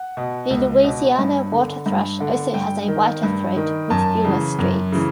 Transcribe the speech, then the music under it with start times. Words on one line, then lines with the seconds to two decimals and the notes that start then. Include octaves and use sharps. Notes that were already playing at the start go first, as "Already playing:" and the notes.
The Louisiana waterthrush also has a whiter throat with fewer streaks.
Already playing: F#5
0.17 B2
0.50 C#2
0.84 B2
1.19 G2
1.52 D3
1.86 G2
2.20 D3
2.54 G2 G5
2.88 D#3
3.23 G2
3.56 D#3
3.90 F#2 A5
4.25 C#3 E3
4.59 F#2
4.92 C#3 E3